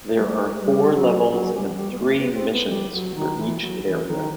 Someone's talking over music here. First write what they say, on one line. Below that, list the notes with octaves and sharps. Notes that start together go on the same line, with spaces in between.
There are four levels and three missions for each area.
G3
A3
A3
G3
F#3
F#3
G3
G3
B3
A3
B3
C4
B3
G3
F#3
D#3
E3
F#3
E3
D#3